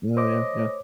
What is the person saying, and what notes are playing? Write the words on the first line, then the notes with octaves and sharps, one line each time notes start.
Oh, yeah. Yeah.
A3 C5 C#5 D#5 D6